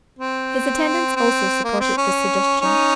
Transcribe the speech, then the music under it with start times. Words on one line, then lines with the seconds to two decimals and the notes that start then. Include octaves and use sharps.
His attendants also supported this suggestion.
0.19 C4
1.16 C4
1.64 A#3
1.80 C4
1.97 C#4
2.61 C#4 D#4